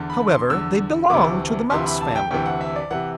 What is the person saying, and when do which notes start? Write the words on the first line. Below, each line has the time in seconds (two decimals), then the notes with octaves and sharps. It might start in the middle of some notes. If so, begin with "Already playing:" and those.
However, they belong to the Mouse family.
Already playing: E2 D3
0.10 B5
0.30 C6
0.50 E2 D3 E6
1.10 D2 C3 E3 D6
1.70 D2 C3 E3 C6
1.86 B5
2.01 A5
2.15 G5
2.31 D2 C3 E3 G5
2.46 F#5
2.61 E5
2.76 D5
2.91 C3 E3 F#5